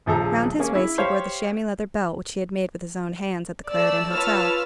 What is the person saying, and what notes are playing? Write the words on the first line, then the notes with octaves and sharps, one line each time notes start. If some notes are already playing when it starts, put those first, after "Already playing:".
Round his waist he wore the chamois-leather belt which he had made with his own hands at the Clarendon Hotel.
D#1 A#1 F3 G#4 A4 A#5
A#3 C#4 G#4
E4
G4 C5 C#5 F5
A3 D5 E6
F4 B4 C#5 A5 E6 F6